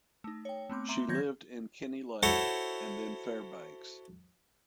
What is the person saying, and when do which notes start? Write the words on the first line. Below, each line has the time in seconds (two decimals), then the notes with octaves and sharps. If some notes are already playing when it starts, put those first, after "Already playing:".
She lived in Kenny Lake and then Fairbanks.
0.24 A3 D#4
0.45 C#5 G5
0.70 A3 B3 C4 D6
0.89 E5 A#5 C6 D6
1.08 D#3 F#3 C#5 G6 G#6 A#6
2.23 E4 F#4 A4 C5 C#5 F#5